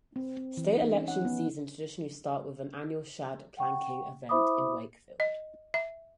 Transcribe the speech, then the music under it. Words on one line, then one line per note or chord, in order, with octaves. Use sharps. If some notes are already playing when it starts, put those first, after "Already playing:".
State election seasons traditionally start with the annual Shad Planking event in Wakefield.
C4
C4
E3
D#4
C#4
F#5
B3
F#5 G5 C#6
E4 C5 E5 B5 D6 D#6
D#5
E5